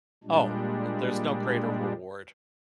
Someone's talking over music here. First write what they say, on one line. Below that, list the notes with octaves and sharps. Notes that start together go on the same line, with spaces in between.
Oh, there's no greater reward.
A#2 G3 G#3 D4